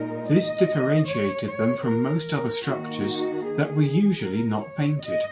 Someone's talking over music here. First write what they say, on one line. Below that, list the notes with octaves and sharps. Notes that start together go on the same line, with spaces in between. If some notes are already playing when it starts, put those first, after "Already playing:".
This differentiated them from most other structures that were usually not painted.
Already playing: A#2 G#3 D#4 A#4
D#5
C#5
C#5
A#4
D#3 A#3 D#4 F#4
G#4
A#4
C#5
D#5